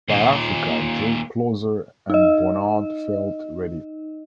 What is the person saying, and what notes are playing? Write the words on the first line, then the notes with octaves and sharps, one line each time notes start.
But Africa drew closer and Bonard felt ready.
D#2 A#2
D#4 D#5